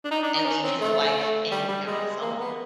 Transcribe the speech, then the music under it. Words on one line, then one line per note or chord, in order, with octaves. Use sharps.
and leave his life in Arizona?
D4
D#4
D4
D#4
C#4
C4
A3
G3
G3
G#3
A#3
B3